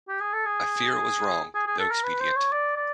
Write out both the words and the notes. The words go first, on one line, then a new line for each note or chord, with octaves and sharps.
I fear it was wrong, though expedient.
G4
G#4
A4
G#4
G#4
G#4
A4
A#4
B4
C5
C#5
D5
D5